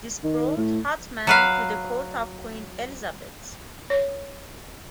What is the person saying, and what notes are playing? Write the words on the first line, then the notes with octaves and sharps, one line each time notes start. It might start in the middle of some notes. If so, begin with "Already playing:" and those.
This brought Hotman to the court of Queen Elizabeth.
D#3
A2
F#3 B4 F5
C#5